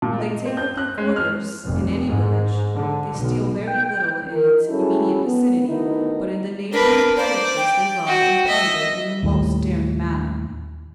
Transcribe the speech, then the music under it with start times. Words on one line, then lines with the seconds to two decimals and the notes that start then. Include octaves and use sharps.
When they take up their quarters in any village they steal very little in its immediate vicinity, but in the neighbouring parishes they rob and plunder in the most daring manner.
0.02 A#2
0.20 D#5
0.45 C4
0.57 G6
0.77 F#6
0.98 G#3
1.16 F6
1.65 F1
2.06 G#2
2.74 D3
3.19 B1
3.67 G5
4.31 D#3 A#4
4.69 G3 C#4 E4 F#4 G#4 A4
5.24 B3
5.67 D2 D#3 B3 D#4 E4
6.72 D4 A#4 B4
7.17 C5 D5
7.57 G5
8.07 F#4
8.47 D#5 E5
9.23 D#2 A2 G3